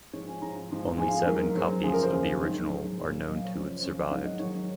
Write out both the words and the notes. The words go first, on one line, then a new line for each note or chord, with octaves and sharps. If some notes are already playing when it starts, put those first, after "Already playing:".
Only seven copies of the original are known to have survived.
G#2 F3 C#5
G#5
G#2 F3 A#5
G#2 F3
G#2 F3 G#5
F5
G#4
G#2 F#3 A#4
G#2 F#3 C5
F#2 C#3 F3 G#4
A#4
C5
F#2 C#3 F3
G#2 D#3 F#3
G#2 D#3 F#3
A#2 F#3
A#2 F#3 D#5
F5
C#5
F#2 C#3 F3 C5
C5
F#2 C#3 F3 C#5
F5
G#2 D#3 F#3 F#5
D#5
G#2 D#3 F#3 C#5